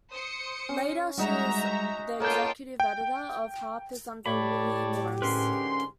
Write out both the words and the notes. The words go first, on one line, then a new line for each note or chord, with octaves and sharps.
Later she was the executive editor of "Harper's" under Willie Morris.
C5 D#6 C#7
C#4
G3 G#3 D#4 F#4 E5 A#5
C#6
A#3 F4 A4 C#5 G5 A5 G6
G5
A2 G4 C#5 D5 A5 B5
G#2 D3 C#4 A#4 B4 C6